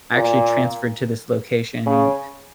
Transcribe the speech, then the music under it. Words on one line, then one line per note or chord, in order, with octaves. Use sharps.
I actually transferred to this location.
A#2
C#3